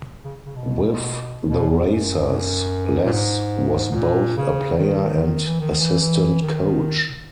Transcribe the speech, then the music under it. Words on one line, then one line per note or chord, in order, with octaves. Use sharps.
With the Racers, Les was both a player and assistant coach.
C#3
C#3
B2
B2
E2
F#2
A#2
G#2
G#2
A#2
C#3
D#3
E3
D#3
E3
E3
D#3